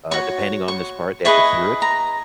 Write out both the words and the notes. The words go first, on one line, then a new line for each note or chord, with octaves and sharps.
uh, depending on this part, they have to hear it,
F#4 C#5 C#6
C#6
E4 G#4 B4 D#5 C#6
A#5